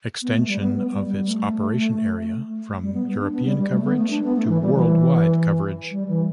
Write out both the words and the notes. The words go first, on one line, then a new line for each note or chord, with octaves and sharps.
Extension of its operation area from European coverage to Worldwide coverage.
B3
A3
G3
B3
B3
G3
G3
A3
G3
B3
B3
D4
B3
G3
G3
A3
B3
A3
D4
B3
A3
E3
G3
E3
G3
E3